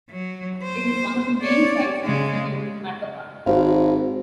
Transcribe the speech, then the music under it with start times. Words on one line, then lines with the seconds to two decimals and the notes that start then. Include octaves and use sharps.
It is one of the main sights of the city of Macapa.
0.11 F#3
0.63 C5
1.43 C#5 D5
2.04 C#3 G#3
3.46 G#1 F#4 C5 F5